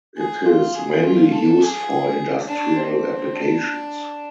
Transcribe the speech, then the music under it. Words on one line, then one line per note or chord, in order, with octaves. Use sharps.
It is mainly used for industrial applications.
G#4
F4
G#4
F4
A4
G#4
D4
C4
D4